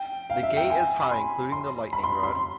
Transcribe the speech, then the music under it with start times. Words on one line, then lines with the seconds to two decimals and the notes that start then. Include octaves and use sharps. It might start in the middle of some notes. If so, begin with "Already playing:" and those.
The gate is high including the lightning rod.
Already playing: G5
0.30 F5
0.43 E5
0.57 G5
0.70 G#5
1.00 B5
1.11 C6
1.52 C6
1.93 B5
2.03 C6
2.23 C6